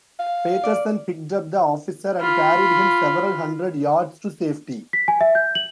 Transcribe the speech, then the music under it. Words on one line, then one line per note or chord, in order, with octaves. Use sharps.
Patterson picked up the officer and carried him several hundred yards to safety.
F5
D5
F4 B5
B6
G#5
E5
G6
F#7